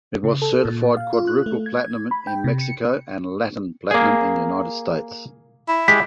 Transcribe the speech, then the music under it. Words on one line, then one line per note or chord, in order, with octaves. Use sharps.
It was certified quadruple platinum in Mexico and Latin platinum in the United States.
C#3
A4
A#2
F5
F4
F#6
A3
G#6
B5
G5
C3
C#7
A#3 G#4
E4
G#3 G4 B6